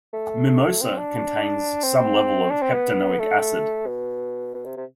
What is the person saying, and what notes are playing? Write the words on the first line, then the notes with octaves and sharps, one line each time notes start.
Mimosa contains some level of heptanoic acid.
A3
C4
D4
C4
D4
C4
B3
A3
B2
B2
C3
C3